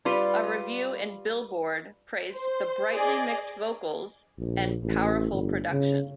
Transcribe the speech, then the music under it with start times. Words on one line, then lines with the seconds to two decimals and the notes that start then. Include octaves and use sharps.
A review in "Billboard" praised the "brightly mixed vocals" and "powerful production".
0.05 G3 F4 B4
2.33 C5
2.93 G#4 D5 D#5
4.39 A#1
4.83 A1
5.31 G1
5.71 C#3